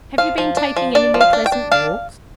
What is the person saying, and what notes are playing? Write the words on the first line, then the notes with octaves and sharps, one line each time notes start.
'Have you been taking any more pleasant walks?'
F3 F5
F3
D4
F3
D4 D5
F3
F5
D4
G5
D4
D4 F5